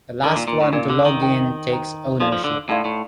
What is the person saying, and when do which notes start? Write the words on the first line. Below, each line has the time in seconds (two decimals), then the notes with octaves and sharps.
The last one to log in takes ownership.
0.23 D3 D#4 A#4 D5
0.36 A#2
0.48 A#2
0.61 A2
0.73 A#2 D#4 A#4 D5
0.90 D3
1.05 D#3
1.22 C5 G5 A#5
1.70 C5 G5 A#5
2.20 F3 D#4 A4 D5 F5 C6
2.32 F3
2.44 D3
2.69 A2 D#4 A4 D5 F5 C6
2.85 A2